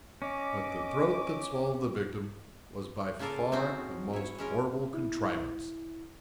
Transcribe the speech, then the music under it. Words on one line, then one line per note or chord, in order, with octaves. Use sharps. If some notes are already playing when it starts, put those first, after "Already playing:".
But the throat that swallowed the victim was by far the most horrible contrivance.
C#4 D#5 D6
C#3 A#3 F4 A4 A#4
C4 C#4 D#4 F#4
E4 C#5
G#3 C#4 A#4
E4